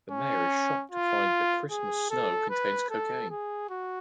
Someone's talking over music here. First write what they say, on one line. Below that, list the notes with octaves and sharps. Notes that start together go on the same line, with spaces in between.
The Mayor is shocked to find that Christmas Snow contains cocaine.
C#4
F4
G#4
A4
B4
A4
G#4
F#4